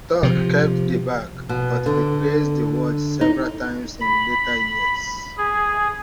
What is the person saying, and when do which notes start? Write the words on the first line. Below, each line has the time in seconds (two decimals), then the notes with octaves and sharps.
Tork kept the back, but replaced the watch several times in later years.
0.23 C3 F3
1.49 B2
1.86 D3
3.21 D#4
4.00 B5
5.37 G#4